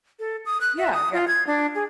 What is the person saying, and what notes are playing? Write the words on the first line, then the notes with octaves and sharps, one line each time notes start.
Yeah, yeah.
A4
D#6
F#6
E5
D#6
F4
G#6
D4
G#4